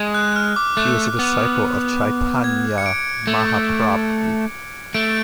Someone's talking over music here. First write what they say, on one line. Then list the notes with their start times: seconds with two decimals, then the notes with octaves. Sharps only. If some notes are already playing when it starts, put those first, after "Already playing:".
He was a disciple of Chaitanya Mahaprabhu.
Already playing: G#3
0.15 F#6
0.36 F6
0.56 D6
0.77 A3 F#6
1.19 B3
2.44 G#6
2.78 C#7
2.86 D7
3.27 A3
4.94 A3 D7